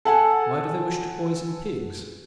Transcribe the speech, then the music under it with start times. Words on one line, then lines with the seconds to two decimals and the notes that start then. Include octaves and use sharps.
"Why do they wish to poison pigs?"
0.05 A4 F#5 G#5 A5